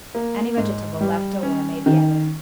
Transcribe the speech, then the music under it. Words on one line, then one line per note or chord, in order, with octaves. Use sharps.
Any vegetable left over may be added.
A#3
G#2
G3
C#4
D#3